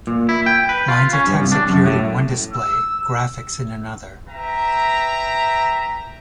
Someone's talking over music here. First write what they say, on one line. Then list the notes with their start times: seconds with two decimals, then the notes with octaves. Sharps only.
Lines of text appeared in one display, graphics in another.
0.07 A#2
0.29 E4
0.46 G5
0.69 B4
0.88 F4
1.13 C#4
1.27 G2
1.40 C2
1.52 D4
1.69 F#2
1.86 A2
2.53 E6
4.27 B4 E5 G5 A#5